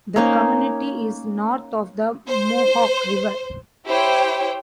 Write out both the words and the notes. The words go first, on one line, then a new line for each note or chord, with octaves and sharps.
The community is north of the Mohawk River.
A#3 C#4 D#4
C5
E4 G4 C5 C#5 G5